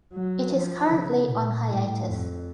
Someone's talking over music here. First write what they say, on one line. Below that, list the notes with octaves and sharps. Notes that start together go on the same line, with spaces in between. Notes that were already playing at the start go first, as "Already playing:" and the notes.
It is currently on hiatus.
F#3
F3
C#3
A#2
A2
F2